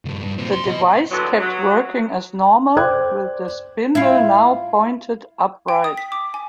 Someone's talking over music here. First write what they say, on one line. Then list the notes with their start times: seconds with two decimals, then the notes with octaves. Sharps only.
The device kept working as normal, with the spindle now pointed upright.
0.05 G2 C#3
0.23 G2
0.38 A#2 C4
0.50 F2 C6
0.68 B2 D#5
1.11 A#2 D3 E3 F#3 B3
1.39 F#3
2.76 C5 D5 G5 D6 F#6 G#6
3.95 E4 F4
5.68 G5
5.84 D#6
5.97 B6
6.12 D6
6.34 G#5